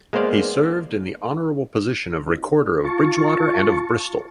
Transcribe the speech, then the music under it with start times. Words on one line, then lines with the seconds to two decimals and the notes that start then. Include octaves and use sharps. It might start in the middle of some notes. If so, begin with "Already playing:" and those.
He served in the honourable position of Recorder of Bridgwater and of Bristol.
0.13 G#3 A#3 B3 C5 D5 F5
2.84 F4 A5 C#6